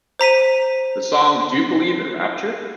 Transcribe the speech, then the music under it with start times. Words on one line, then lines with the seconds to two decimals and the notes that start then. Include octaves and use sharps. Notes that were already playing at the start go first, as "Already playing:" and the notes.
The song Do You Believe in Rapture?
0.19 C5 A#5 B6 D#7